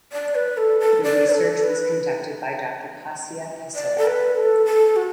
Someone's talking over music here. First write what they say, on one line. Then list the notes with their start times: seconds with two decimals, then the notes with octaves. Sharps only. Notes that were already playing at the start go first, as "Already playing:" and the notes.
The research was conducted by Doctor Kasia Pisarek.
0.13 D5
0.35 B4
0.57 A4
0.80 A4
1.03 D5
1.33 A4
1.63 B4
3.75 D5
3.98 A4
4.06 B4
4.36 A4
4.66 A4
4.96 F#4